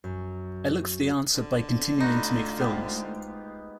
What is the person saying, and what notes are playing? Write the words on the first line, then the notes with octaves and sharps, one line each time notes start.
I look for the answer by continuing to make films.
F#2
D3
A3 D#4 F4 F#4 B5
G#2 B3 G4